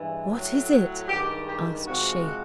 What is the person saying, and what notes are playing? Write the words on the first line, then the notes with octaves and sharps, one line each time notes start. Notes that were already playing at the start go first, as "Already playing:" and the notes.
'What is it?' asked she.
Already playing: G2 E3 G#3
A2 F#3
G2 D#3 G#3 G4
G4
C3 F3 G#3 F#4